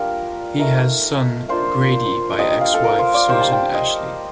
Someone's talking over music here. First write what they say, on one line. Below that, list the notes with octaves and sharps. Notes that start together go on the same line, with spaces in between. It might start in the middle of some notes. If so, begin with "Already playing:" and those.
He has son, Grady by ex-wife Susan Ashley.
Already playing: G3 A#3 D4 F4 A#4
A3 D#4 A#4
A#3 D4 F4 C5
G3 A#3 D4 D#5
F5
A4
A#4
C5
D5
G3 A#3 D#4 C5
A5
G5
D#5